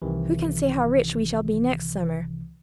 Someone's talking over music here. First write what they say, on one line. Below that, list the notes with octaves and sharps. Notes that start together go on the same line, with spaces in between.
Who can say how rich we shall be next summer?
C2 C3 D#3 E3